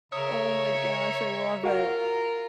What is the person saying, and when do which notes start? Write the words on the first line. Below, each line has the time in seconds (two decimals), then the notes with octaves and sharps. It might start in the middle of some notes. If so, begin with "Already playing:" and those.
Oh my gosh, I love it.
0.12 C#3 A#4 C#5 E5 D#6
1.64 F4 F#4 A#4 F5 F#5 A#5